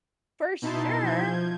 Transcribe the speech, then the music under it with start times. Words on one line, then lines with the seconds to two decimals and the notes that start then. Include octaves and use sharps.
For sure!
0.62 B2 D#4 E4 A5 C6
1.03 F3 G6 G#6